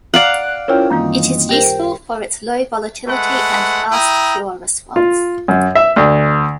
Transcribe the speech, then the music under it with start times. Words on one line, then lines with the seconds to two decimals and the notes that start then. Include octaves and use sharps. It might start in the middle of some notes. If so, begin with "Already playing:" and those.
It is useful for its low volatility and fast cure response.
0.14 D5 F5 F#5 A#5 F#6
0.68 C#4 E4 F4 A#4 C5 C#5 G5
0.90 F#2 D#3 E3 G3 A#3 C4 D#4
1.49 G4 A#4 C5 G5
3.07 G#3 A3 B4 F#5
3.92 E4 G5 A#5 D#6
4.96 F4
5.48 F#2
5.75 E5
5.96 D2